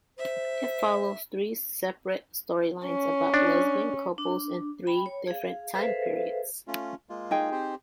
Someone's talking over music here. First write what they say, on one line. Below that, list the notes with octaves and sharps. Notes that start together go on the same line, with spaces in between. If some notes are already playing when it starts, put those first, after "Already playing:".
It follows three separate storylines about lesbian couples in three different time periods.
C5 E5
C#4
D4
D4
G5 B5
C#5
G#4 F5
G#4 A4 B4 C5 E5 F5
A3 C#4 F4
G#3 A#3 F4
D#4 G#4 G5
C4 G4 C5